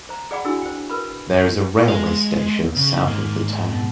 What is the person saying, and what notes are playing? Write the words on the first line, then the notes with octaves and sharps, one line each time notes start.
There is a railway station south of the town.
C5 A#5
G#4 D5 F#5 G5 B5 D6
D4 E4 F#4 G#4 G#5 E6
C5 G5
A#4 B4 B5
G#3 F5
C#3
G#2 D#3 A#3
B2